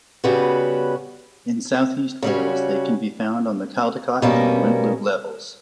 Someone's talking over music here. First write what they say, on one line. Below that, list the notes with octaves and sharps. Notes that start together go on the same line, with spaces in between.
In southeast Wales, they can be found on the Caldicot and Wentloog Levels.
C#3 G3 B3 F#4 B4
C#3 G3 C#4 F#4
B2 G3 A#3 C#4